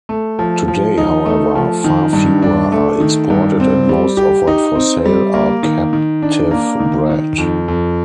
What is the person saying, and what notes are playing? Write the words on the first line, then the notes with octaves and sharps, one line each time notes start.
Today, however, far fewer are exported, and most offered for sale are captive bred.
A3
F3
F3
D#4
A3
F3
D#3
G2
D4
A3
D#3
G2
C4
G3
G4
D#4
C4
G3
A#3
D#3
D#3
D4
A#3
D#3
D#3
F2
F2